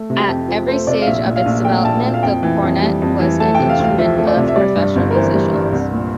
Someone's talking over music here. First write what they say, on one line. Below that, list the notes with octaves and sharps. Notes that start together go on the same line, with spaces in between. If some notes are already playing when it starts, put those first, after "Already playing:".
At every stage of its development the cornett was an instrument of professional musicians.
Already playing: A3
C3
G4
F2
F3
A3 C5
C3 D5
F5
A#1 E5
A#2
F5
A#1
A3 G5
A#1 A5
A#2
F5
F2 G5
E3
F2
G3
F2
E3
A3 A5
C3 G5
F5
D2
F5
F3 E5
A3
D5
C3
E5
G3 D5
G2
G1
A#4
E3 C5
G3
G2
C2
A#2